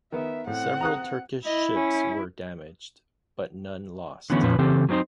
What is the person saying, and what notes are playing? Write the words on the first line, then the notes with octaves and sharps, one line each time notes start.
Several Turkish ships were damaged, but none lost.
D#3 B3 E5
A2 C4 F#5
A#5 D#6 F#6
E4 D#5
C#4
D3 E3 F#3 A3 B3 C#4
F2 A#2 F3 C#4 B4
C#3 E3 C4 G4 A4
F#3 A#3 C4 D#4 C5